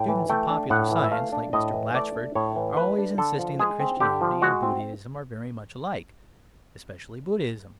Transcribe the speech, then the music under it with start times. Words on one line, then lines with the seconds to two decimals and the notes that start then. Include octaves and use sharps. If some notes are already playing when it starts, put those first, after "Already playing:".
Students of popular science, like Mr. Blatchford, are always insisting that Christianity and Buddhism are very much alike, especially Buddhism.
Already playing: A2 G5
0.08 E3
0.29 A3 G5
0.50 D4
0.70 A2 F#5
0.91 E3
1.04 E5
1.12 A3 F5
1.32 D4
1.53 A2 D#5
1.74 E3
1.94 A3 D5
2.15 D4
2.35 A2 C#5
2.56 E3
2.76 A3 B4
2.98 D4
3.18 D3 A4
3.39 F3
3.59 G#3 G#4
3.80 C4
4.00 D3 G4
4.21 F3
4.42 G#3 F#4
4.63 C4